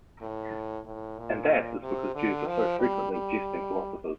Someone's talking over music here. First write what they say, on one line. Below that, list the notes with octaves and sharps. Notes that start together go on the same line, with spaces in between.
And that is because Jews are so frequently jesting philosophers.
A2
A2
A#2
C3
D3
F3
G3
G3